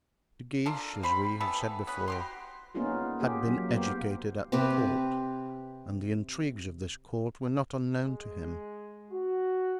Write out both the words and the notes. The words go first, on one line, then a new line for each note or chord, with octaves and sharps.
De Guiche, as we have said before, had been educated at the court, and the intrigues of this court were not unknown to him.
D4 F4 A4 A#4
C4 B5
E3 G3 B3 A4
B3 C#4 B4
F#4 G4 C6
A#3 B3 C#4 D#4 F4 G#4
A#3 G4 G#4
F#3
A#3 B3 G4 C5
C3 C4 G4 B4
G#3
F#4